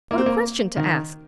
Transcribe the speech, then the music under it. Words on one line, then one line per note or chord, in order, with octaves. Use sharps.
What a question to ask!
A#3
C4
A#3
D#3